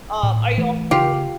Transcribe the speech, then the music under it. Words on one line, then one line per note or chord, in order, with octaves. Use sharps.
Um, are you also doing
A2
E3 A3
C#3 F4 G4